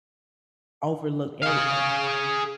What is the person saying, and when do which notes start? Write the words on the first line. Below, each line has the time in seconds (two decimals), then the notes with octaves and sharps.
overlooked every, uh
1.42 G#4 F5